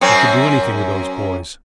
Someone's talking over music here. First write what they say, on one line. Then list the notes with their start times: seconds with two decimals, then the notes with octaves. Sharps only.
'You could do anything with those boys.
0.01 F#2 C4 C#4